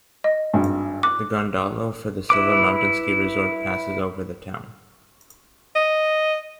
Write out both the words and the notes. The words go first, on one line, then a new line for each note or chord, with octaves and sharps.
The gondola for the Silver Mountain ski resort passes over the town.
D#5
G#1 G2
D6 F#6
E4 B4 D6
D#5